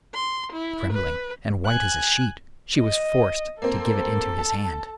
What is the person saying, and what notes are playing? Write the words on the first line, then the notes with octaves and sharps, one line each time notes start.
Trembling, and white as a sheet, she was forced to give it into his hand.
C6
E4
B4
G#5 F#6
D#5
A#3 C4 A4
A5